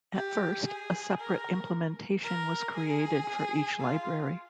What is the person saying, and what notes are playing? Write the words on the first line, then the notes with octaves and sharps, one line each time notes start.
At first a separate implementation was created for each library.
G4
G#4
A#4
A#4
G#4
F4